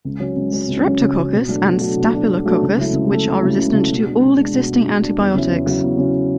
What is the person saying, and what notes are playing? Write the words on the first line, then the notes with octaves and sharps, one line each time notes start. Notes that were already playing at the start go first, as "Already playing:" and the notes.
Streptococcus and Staphylococcus which are resistant to all existing antibiotics.
C#2
C#3 F#3 C#4
C#2
C#3 F#3 C#4
C#2
C#3 F#3 C#4
C#2
C#3 F#3 C#4
B2
F#3 A3 D4
B2
F#3 A3 D4
B2
F#3 A3 D4
B2
F#3 A3 D4
C#2
C#3 F#3 A3 E4
C#2
C#3 F#3 A3 E4
C#2
C#3 F#3 A3 E4
C#2
C#3 F#3 A3 E4
B2
G#3 D4
B2
G#3 D4
B2
G#3 D4
B2
G#3 D4
E2
C#3 F#3 C#4 E4
E2
C#3 F#3 C#4 E4
E2
C#3 F#3 C#4 E4